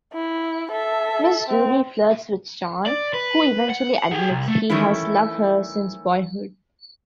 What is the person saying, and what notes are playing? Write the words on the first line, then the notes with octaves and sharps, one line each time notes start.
Miss Julie flirts with John, who eventually admits he has loved her since boyhood.
E4
A4 E5
C4
D5
B4
F#5
G4 G#4
C2
A3
D#3 E3 A3 C#4 E4